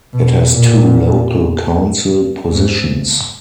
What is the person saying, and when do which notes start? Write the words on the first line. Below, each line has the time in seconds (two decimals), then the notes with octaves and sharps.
It has two local council positions.
0.13 B2
0.53 A#2
2.52 G#2